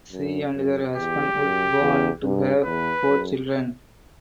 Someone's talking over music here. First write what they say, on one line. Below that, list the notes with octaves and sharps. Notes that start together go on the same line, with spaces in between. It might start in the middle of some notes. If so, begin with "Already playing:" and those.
She and her husband would go on to have four children.
F#2
F#2
E2 G4
F#2
E2
G2
E2 B4
F#2